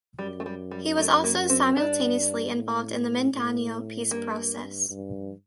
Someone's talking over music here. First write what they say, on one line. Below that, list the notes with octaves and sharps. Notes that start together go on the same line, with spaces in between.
He was also simultaneously involved in the Mindanao peace process.
F#2 G3
A3
G3
G3
A3
A#3
C4
G2 D4
A2
A2
G2 A#3
G2